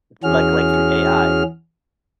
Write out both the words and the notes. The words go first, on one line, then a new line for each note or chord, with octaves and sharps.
Like like, through AI.
E2 E3 C#4 F#4 G#4 F6